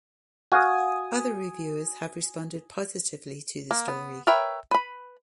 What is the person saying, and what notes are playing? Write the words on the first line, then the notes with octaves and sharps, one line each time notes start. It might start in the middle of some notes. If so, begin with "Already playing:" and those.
Other reviewers have responded positively to the story.
F#4 F5 G#5 D#6
A#3
B3
A#4 B4 C#5 E5 G5
B4 B5